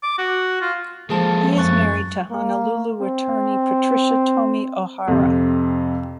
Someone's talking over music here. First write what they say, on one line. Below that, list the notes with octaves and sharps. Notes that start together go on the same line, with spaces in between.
He is married to Honolulu attorney Patricia Tomi Ohara.
D6
F#4
F4
F3 G#3 A#3 G#4 A4 A5
F#2 C#6 F#6 A6
A#3
C4
F2 C3